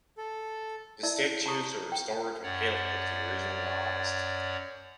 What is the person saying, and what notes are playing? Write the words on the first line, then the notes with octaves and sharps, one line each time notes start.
The statues were restored with help of the original artist.
A4
E4 A#4 D5 E5 A5
A5 A#5 C#6 D#6
G5
F#2 C#5 D5 F#5